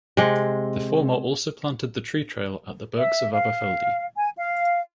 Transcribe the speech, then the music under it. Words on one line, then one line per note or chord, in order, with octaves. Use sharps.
The former also planted the tree trail at the Birks of Aberfeldy.
C3 G#3
E5
F5
G#5
F5